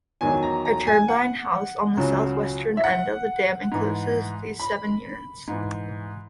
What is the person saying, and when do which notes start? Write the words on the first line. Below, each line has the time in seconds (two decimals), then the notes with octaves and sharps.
A turbine house, on the southwestern end of the dam, encloses these seven units.
0.21 E2 D#3 F#3 G#5
0.43 A#5
0.65 A#5
0.87 G#5
1.08 F#5
1.97 C#2 C#3 F#3
2.77 E5
2.84 F#5
3.72 G#2 E3
4.60 B5
5.48 G#2 E3